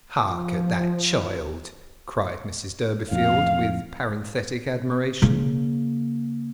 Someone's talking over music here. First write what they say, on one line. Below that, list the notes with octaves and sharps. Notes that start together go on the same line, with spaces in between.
"Hark at that child!" cried Mrs Durbeyfield, with parenthetic admiration.
F3
F2 A2 F5
C#3 A#3